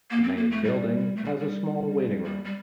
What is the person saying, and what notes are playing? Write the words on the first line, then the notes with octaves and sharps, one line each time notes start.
The main building has a small waiting room.
A#3
C4
A#3
A3
G3
A3
G3
G3
G3
G3